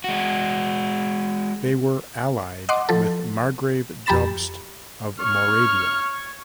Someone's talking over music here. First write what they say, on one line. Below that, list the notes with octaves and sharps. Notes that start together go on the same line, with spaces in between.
They were allied with Margrave Jobst of Moravia.
G#3 F#4
D#5 F#5 C6 D6
F3 A4
F2 G4 A#5 B5 A6 E7
C#5 C#6 F6